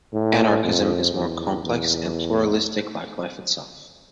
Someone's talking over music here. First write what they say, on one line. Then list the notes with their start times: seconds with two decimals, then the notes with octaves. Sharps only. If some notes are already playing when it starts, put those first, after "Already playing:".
Anarchism is more complex and pluralistic, like life itself.
0.13 A2
0.64 F2
1.14 E2
1.64 E2